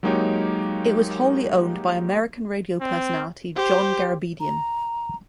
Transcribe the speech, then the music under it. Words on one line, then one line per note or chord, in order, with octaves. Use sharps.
It was wholly owned by American radio personality John Garabedian.
F#3 G#3 A#3 D#4 G4 C#5
C4
G4 C5
A#5